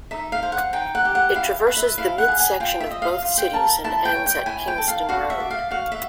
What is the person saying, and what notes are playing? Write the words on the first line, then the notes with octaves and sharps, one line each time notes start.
It traverses the midsection of both cities and ends at Kingston Road.
D#4 E5
F5
C5
F#5
D#4 G5
F#5
G4
F#5
E4 F5
B4
E5
E4 F5
F#5
G#4
G#5
F4 G5
E5
D#5
F5
F4
G5
A#4 A5
E4 A5
G5
C#5
G5
E4 G#5
G5
A4
F5
F#4 F5
E5
D5
F5
F#4 F5
E5